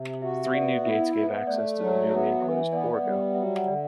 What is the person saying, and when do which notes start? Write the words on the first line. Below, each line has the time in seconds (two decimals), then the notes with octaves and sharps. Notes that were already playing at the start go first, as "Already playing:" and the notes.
Three new gates gave access to the newly enclosed Borgo.
Already playing: C3 E5
0.22 F#4 E5
0.44 E5
0.53 B3 D5
0.85 E4 E5
1.16 B3
1.47 A3 D5
1.79 F#3
2.09 B3 E5
2.40 E3 E5
2.72 B3 D5
2.94 D5
3.03 G3
3.34 F#3 E5
3.55 F#5
3.65 D3 D5